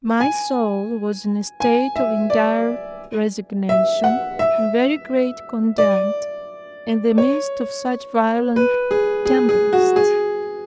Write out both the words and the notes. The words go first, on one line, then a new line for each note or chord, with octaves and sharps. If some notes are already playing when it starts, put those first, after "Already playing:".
My soul was in a state of entire resignation and very great content, in the midst of such violent tempests.
G#5
G#5
E5
D5
E5
F#5
E5
D5
C#5
B4
G#4
G#4
G#4
F#4
G#4